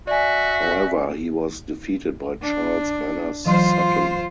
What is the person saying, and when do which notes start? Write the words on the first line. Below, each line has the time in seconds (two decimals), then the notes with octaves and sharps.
However, he was defeated by Charles Manners-Sutton.
0.07 F#4 D5 E5 G#5
2.42 D4
3.46 E3 F#3 F4 C5 C6